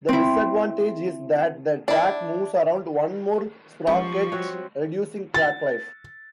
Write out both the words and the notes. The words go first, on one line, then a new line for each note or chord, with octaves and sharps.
The disadvantage is that the track moves around one more sprocket, reducing track life.
C4 E4
D4 E4
C#2 F3 G3 D#4 G5 C#6
C4 F#4 C#5
A6